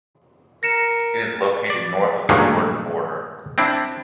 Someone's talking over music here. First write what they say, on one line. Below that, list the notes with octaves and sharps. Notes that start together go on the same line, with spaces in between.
It is located north of the Jordan border.
A#4 A#6 C#7 E7
D5
G2 A#2 D#3 F#3 G#3 A3
C4 D4 E4